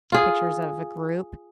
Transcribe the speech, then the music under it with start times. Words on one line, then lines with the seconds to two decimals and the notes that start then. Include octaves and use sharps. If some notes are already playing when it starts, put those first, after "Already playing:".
pictures of a group,
0.12 F4 G#4